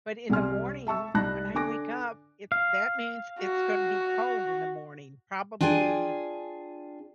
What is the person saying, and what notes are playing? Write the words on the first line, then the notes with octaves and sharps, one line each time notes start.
but in the morning, when I wake up, it that means it's gonna be cold in the morning, probably
C2 C3 G#4 G#5 C6 F6
E5 A5 C#6 E6
C2 D#4 A5 B5 F#6 A#6
D3 D4 A4 G#5 D6 A#6
F5
F#4
D4 F4 G#4 G5 G#5